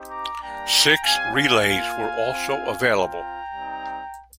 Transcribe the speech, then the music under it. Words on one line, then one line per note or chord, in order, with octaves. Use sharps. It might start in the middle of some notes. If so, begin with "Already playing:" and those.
Six relays were also available.
Already playing: C4 D#4 G4
A#5 D6
G3 A#3 D4 G5 A#5
G3 C4 G4 F5 G#5
F5 G#5
A#3 F4
C4 F4
C4 F4 G5 A#5
G3 C4 D#4